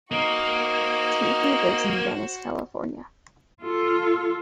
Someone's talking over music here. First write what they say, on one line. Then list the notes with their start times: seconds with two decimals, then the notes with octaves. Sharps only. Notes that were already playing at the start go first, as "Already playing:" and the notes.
Teefy lives in Venice, California.
0.12 A#3 D#4 F#4 C5
3.62 F4 A4